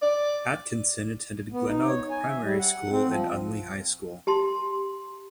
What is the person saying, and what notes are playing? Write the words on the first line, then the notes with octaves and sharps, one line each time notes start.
Atkinson attended Glenelg Primary School and Unley High School.
D5
B3
D#4
C#5
G#5
E5
G3
F#5
C4
F3
G4 A5 C6